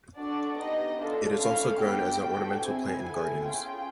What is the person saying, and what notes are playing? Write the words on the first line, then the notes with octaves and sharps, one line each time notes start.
It is also grown as an ornamental plant in gardens.
D4 F#4 A4 D5
B3 D#4 G4 D#5
D4 F4 A4
A3 C#4 E4 A4 F5
B3 D4 G4 G5
D4 F#4 A4
C4 E4 G#4 G#5
B3 E4 A4
C#4 F4 G#4 G5